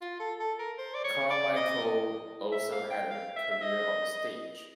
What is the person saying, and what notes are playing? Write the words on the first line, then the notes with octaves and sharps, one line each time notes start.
Carmichael also had a career on stage.
F4
A4
A4
A#4
C5
D5
C#5
D5
D#5
E5
F5
G5
F5
E5
E5
D#5